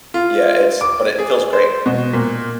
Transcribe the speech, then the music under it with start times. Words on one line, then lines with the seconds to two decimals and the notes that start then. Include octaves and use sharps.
yeah, it's but it feels great.
0.14 F4
0.81 D6
1.18 G#4
1.53 C5
1.86 B2
2.13 A#2